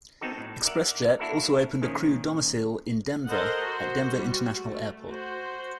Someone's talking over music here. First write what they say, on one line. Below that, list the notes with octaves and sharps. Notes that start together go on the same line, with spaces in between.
ExpressJet also opened a crew domicile in Denver, at Denver International Airport.
B3 C4 D#4 F#4 A4
A2
A#4 D5 E5 F#5
A#3 D4 E4 F#4 A4 A#4
A#2 D#3 F3 C#4
A4 A#4 C5 D#5 F#5
F#4 C5
G3 F#4
A3
F#4 C5